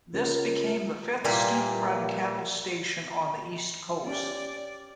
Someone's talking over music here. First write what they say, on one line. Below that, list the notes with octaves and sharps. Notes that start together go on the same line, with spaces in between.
This became the fifth student-run campus station on the east coast.
C#2 A#4
A#2 E3 G3 A#3
C#4 G4 D5